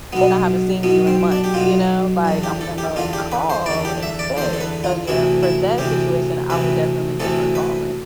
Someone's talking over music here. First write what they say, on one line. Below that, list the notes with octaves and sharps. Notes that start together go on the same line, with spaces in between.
when I haven't seen you in months, you know, like, I'm gonna call instead, so, yeah, for that situation I would definitely prefer calling
B1 B2 B3
B1 B2 B3
C4
D4
G4
B1 B2 F4
E2 D3
G4
A4
G4
E2 D3 F4
G4
B4
C5
E2 D3 D5
G4
E5
D5
E2 D3 C5
A4
B4
F4
D2 C3 E3 E4
E4
D2 C3 E3 G4
D2 C3 E3 B4
D2 C3 E3 A4
B4